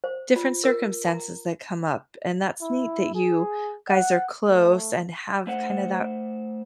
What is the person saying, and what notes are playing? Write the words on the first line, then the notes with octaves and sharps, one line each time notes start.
different circumstances that come up, and that's neat that you guys are close and have kinda that
C5
F4
A#4
A#5
E4
G#4
F#5
A3
A3 C5 F#5